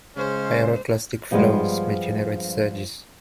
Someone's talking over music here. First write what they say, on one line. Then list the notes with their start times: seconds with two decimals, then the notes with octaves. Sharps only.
Pyroclastic flows may generate surges.
0.17 C#3 G#3 C#4 C5
1.31 G2 F3 G3 G#3 B3 F4